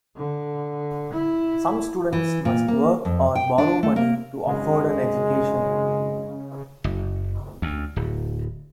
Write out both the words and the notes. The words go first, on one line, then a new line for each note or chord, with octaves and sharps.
Some students must work or borrow money to afford an education.
D3
E4
E3
A#2
A#3
F2
G5
D4
A3
A#3
G#1 F#2 C#3 G#3
F#1
D2
D1